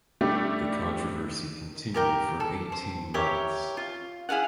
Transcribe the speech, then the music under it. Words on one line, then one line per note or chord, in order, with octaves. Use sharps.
The controversy continued for eighteen months.
G3 A3 D4 G4
G4 A#4 G5
A4
C5
G4 A#4 C#5 E5
F4
E4 G#4 F5 F#5